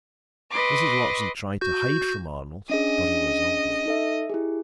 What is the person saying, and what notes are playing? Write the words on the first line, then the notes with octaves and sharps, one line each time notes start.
Mrs. Watson tried to hide from Arnold, but he was ugly.
B4 D#5 C6 D6
F#4 G6
C#4 D4 G#4 D#5
D#4 A4 E5
E4 G4 G#4